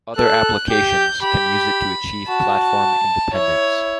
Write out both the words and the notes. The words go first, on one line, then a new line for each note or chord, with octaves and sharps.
Other applications can use it to achieve platform independence.
A4 F#6
G4 G6
G4 B5
F#4 A5
E4 C#5